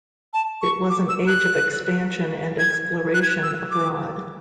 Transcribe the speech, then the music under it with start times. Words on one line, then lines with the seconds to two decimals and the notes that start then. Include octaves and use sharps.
It was an age of expansion and exploration abroad.
0.33 A5
0.62 C#6
0.90 D6
1.09 E6
1.27 F#6
2.59 G#6
3.14 F#6
3.22 G#6
3.29 F#6
3.43 E6
3.71 D6